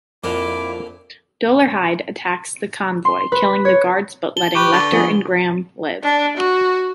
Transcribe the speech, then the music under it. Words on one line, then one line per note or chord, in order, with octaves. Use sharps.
Dolarhyde attacks the convoy, killing the guards but letting Lecter and Graham live.
F2 A#2 D3 E4 A#4 D6
C6
B4
C#5
A5 G7
G4 B4 B5 C#6
D3
F3 B3 G#4
D4
F#4